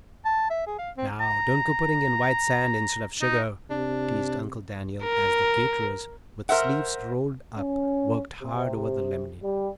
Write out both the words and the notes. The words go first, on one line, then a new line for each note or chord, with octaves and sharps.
"Now, don't go putting in white sand instead of sugar," teased Uncle Daniel, as the "caterers," with sleeves rolled up, worked hard over the lemonade.
A5
E5
G#4
F5
C4
A#5
D#4
C3 D4
A#4
A#4 C5 E5 F#5
C#4
C3
G3